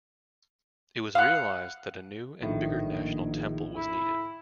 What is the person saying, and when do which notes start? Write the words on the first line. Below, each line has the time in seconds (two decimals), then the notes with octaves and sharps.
It was realised that a new and bigger national temple was needed.
1.15 F5 F#5
2.43 A#1 A2 D#3
3.77 E4